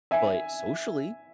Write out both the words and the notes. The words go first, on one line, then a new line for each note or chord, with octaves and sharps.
but socially,
E5 G#5